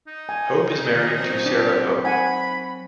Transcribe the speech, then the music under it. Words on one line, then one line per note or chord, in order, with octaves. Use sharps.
Hope is married to Sarah Hope.
D#4
G#5
D#2
F#3 C4
D4 G4
D#4 F#5 G#5 B5